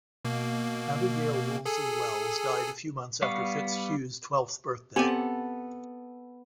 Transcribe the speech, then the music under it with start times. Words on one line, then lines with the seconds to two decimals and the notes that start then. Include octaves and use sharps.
Abigail Woolsey Wells died a few months after Fitz Hugh's twelfth birthday.
0.25 B2 A#3
1.66 G#4 A4 G#5
3.22 G3 B3 F5 C#6
4.96 B3 C4 G4 A4 G#5